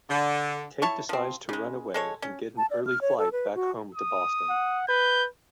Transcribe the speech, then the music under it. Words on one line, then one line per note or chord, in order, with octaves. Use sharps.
Kate decides to run away and get an early flight back home to Boston.
D3
E4 C#5 A5 C#6
F3 C4
C#3 G#3
G#3 A4 C#5
C#4
A5
D5
F6
C#5
A4
B4
F#4
D#6
F#5
B4 G6